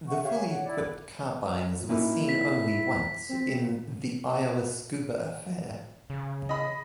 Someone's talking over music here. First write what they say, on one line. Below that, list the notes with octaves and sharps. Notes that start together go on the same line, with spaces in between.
The fully equipped carbines were seen only once, in "The Iowa Scuba Affair".
D#5 E5 F#5 C#6
G4 C#5 E5 F5
G#5
C#5 F#5
E4 D5
A#3 C#4 D#4 E4
B6
C4
C#3
D#5 B5